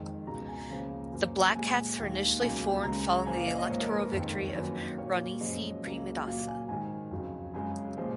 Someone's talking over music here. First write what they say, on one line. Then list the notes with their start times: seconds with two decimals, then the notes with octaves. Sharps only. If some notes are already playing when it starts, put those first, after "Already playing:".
The Black Cats were initially formed following the electoral victory of Ranasinghe Premadasa.
Already playing: F2 D#3 G#3
0.27 C#2 B2 G#3 A#5
0.48 G#5
0.69 C#2 C#3 F3 A#3
1.12 F#2 F3 A#3
1.55 A#2 G#3 G#5
1.98 D#2 D#3 G#3
2.41 C#2 B2 F#3 A#3 G#5
2.83 C#2 C#3 G#3 A#5
3.26 A#2 F3 A#3 G#5
3.37 F5
3.47 D#5
3.58 D#5
3.69 G#2 F3 A#3 C#5
3.80 A#4
3.91 B4
4.12 F2 D#3 G#3 A#4
4.33 A#4
4.48 C#5
4.55 F#2 D#3 F#3 A#3 B4
4.97 A#2 F#3 A#3 C#5
5.40 F#2 C#3 F3 G#3 D#5
5.83 C#2 C#3 F#3 A#3
6.26 A#2 F#3 A#3 F5
6.48 G#5
6.68 G#2 D#3 G#3 G#5
7.11 F2 C#3 F#3
7.54 F#2 C#3 G#3 G#5
7.97 A#2 F3 G#3